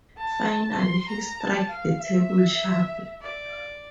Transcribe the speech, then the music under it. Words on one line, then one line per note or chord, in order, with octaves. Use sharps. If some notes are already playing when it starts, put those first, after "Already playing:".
Finally he struck the table sharply.
A5
C6
A#5
A5
F5
E5
D5